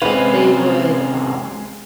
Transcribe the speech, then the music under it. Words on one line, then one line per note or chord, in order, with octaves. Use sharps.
They would, um
C3 G#3 C4 C#4 B4 F5